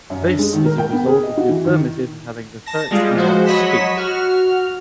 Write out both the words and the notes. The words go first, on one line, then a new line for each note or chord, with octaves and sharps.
This is a result of the affirmative having the first and last speech.
F#2
D4
G#3
D#3
A#4
G5
B3
G#4
D#5
F#4
E3
D#3
A5 A#6
G3 G#3 F4
F3 G#3 F#4 C5
F#3 C#5 D#5 B5 B6 E7
F#4 F6